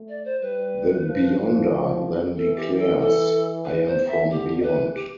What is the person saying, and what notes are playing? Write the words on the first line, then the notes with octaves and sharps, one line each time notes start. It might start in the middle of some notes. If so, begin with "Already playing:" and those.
The Beyonder then declares: I am from beyond!
Already playing: A3
D5
C5
G3 B4
F3
F3
E3 A4
G4
A4
A4
B4
C5
E5
D3 G4
E3 B4
G4